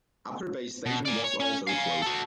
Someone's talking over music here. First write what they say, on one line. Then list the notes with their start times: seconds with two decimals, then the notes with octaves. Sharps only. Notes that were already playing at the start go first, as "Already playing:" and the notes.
Upper Bay station was also closed.
0.86 B2
1.05 D5 G#5
1.24 C#5
1.40 C#4 G#5
1.67 F5 G#5
2.02 F#4 A4